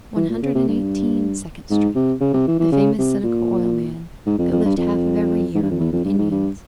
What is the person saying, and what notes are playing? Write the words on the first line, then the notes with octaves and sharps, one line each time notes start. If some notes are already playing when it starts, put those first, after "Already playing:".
'One Hundred and Eighteen, Second Street--the famous Seneca Oil man, that lived half of every year among the Indians.
E3
A#2
C#3
C3
G2
G#2
C3
C#3
C3
E3
E3
C#3
C3
A#2
G#2
F2
F2
G2
F2
G#2
G2
F2
E2
F2
G2
G#2
G2